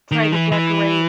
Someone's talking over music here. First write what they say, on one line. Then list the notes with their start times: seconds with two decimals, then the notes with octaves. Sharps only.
try to decorate
0.11 D#3
0.32 E3
0.52 E3